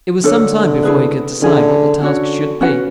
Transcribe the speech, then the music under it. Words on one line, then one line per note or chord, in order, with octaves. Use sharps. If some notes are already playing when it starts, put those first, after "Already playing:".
It was some time before he could decide what the task should be.
D3 D4 A4 C#5
E4 G#4 B4
D3 C#4 E4 G#4
D3 C#4 F#4 C#5
C#4 F#4 B4 F#5